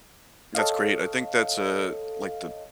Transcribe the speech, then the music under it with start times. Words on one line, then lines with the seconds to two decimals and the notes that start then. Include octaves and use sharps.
That's great. I think that's, uh, like, the
0.55 A4 C#5 D#5 F5